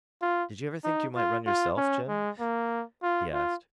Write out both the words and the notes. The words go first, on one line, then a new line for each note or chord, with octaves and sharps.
"Did you ever think you might run yourself, Jim?" he asked.
F4
D#4
F4
F4
C#4
G#3
A#3
F4
F4